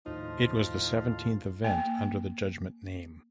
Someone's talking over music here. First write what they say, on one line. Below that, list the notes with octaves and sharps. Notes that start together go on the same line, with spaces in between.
It was the seventeenth event under the Judgement name.
D#2 A2 F3 D#4 F4
A#3 G5